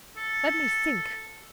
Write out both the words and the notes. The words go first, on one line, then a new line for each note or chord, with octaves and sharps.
"Let me think."
A4